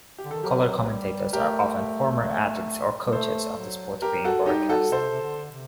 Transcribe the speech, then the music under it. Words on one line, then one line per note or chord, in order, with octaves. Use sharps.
Color commentators are often former athletes or coaches of the sport being broadcast.
G4
D3
D#3 A4
F#3 G4 A#4
G3
A3 G4 A#4
G3
A3 A4 C5
F#3
G4 A#4
F#4 A4
G3 D#4 G4
F#4 A4
C3 A4 C5
C3
D3
C3